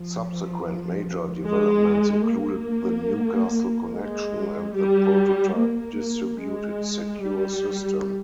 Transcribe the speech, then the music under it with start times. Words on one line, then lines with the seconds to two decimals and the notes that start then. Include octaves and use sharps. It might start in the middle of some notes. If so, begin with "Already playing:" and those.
Subsequent major developments included the Newcastle Connection, and the prototype distributed Secure System.
Already playing: F3
1.44 G#3
2.27 A#3
3.91 G#3
4.75 G3
5.58 A#3
6.41 G#3
7.23 G3